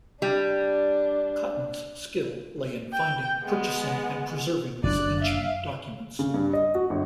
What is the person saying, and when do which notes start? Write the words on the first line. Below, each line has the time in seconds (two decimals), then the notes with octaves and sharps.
Cotton's skill lay in finding, purchasing and preserving these ancient documents.
0.22 G3 D4
2.92 G5
3.43 G#3 B3
4.83 F#1 D4 D5 F#6
5.20 E5 F5
6.19 C#3
6.34 G2
6.53 D#5
6.75 F#4
6.90 G1